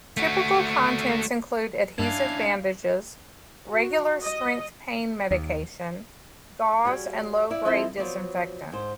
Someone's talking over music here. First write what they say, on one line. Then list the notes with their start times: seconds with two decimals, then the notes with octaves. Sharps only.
Typical contents include adhesive bandages, regular strength pain medication, gauze and low grade disinfectant.
0.17 A3 F#4
1.99 G2 C#4 D4 E4 F5 A5
3.68 F#4
4.23 D#5
5.31 D#2
6.85 G3 F#4 G#4 C#5
7.51 E4 D5 F5
7.65 F3 C4 E4 A4 D#5
7.97 F3 F#3 B3 D5
8.72 G#2 C5